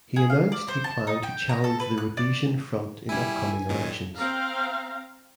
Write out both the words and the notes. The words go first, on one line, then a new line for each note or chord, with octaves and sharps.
He announced he planned to challenge The Rhodesian Front in upcoming elections.
G#4
F5
D5
C5
A5
D#4
G5
A#5
A4
B4
F#6
D5
G3 E4 G#5
F#2 A#2 D#3
C4 F5 A#5